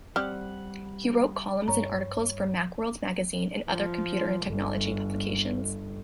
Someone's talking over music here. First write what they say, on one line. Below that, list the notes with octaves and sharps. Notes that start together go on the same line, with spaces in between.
He wrote columns and articles for "Macworld" magazine and other computer and technology publications.
G3 C4 G4 D5 F#5 F6
G2 C#5 A#5
F3
G1